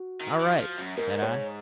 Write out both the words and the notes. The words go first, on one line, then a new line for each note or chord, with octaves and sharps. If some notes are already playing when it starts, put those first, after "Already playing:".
"All right," said I.
Already playing: F#4
D#3
D#3
F3
F#2
G#2 A#4
C#5